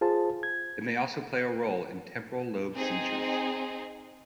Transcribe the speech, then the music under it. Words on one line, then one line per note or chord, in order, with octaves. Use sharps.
It may also play a role in temporal lobe seizures.
F4 G#4 C5 A5
G#6
C4 D#4 G#4